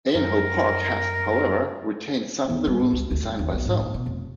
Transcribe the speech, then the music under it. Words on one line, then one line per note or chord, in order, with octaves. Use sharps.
Aynhoe Park has, however, retained the rooms designed by Soane.
F#2 A#4
E2
G3
A1
C#2
D2
G2
D#2
B1
G#2
A2
B2
F1